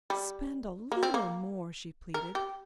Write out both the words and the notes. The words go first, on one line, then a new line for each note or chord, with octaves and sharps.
"Spend a little more," she pleaded.
G3
A#3
C4
A#3
A#4
G4